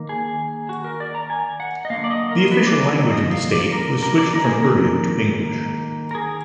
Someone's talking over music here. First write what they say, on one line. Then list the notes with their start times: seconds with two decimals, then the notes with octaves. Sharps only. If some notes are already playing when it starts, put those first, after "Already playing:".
The official language of the state was switched from Urdu to English.
Already playing: D#3 A#3
0.09 G#4
0.69 F#4
0.85 A#4
1.00 D5
1.15 A#5
1.30 G#5
1.60 F#5
1.85 D#5
1.90 D3 F#3 A#3 F5
2.04 D5
2.11 D#5
2.31 A#4
2.52 B4
2.66 D5
2.81 A#4
3.12 D#5
3.32 F5
3.52 D5
3.72 A#4
4.03 A#4
4.18 D5
4.33 D#3 A#3 A#4
4.44 G#4
4.54 A#4
6.11 A#4
6.15 G#4